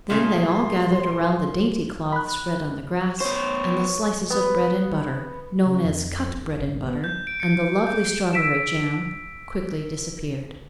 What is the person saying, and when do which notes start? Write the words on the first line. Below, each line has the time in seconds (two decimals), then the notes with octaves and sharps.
Then they all gathered around the dainty cloth spread on the grass, and the slices of bread and butter, known as "cut bread and butter," and the lovely strawberry jam quickly disappeared.
0.10 A#2 C#3 A3 C6
2.12 B5 F#6
3.20 B3 C5 C#5
4.30 B3
5.66 C#3
5.85 F2
6.11 F2
6.35 G1
6.53 F#1
6.68 G#1
6.87 B3
7.04 G6
7.27 D7
7.40 C#7
7.87 G6
8.33 E6 B6 D7 E7